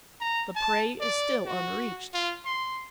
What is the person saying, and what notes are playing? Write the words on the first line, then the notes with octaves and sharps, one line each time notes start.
The prey is still unreached.
A#5
A5
D5
F#4
F4
C6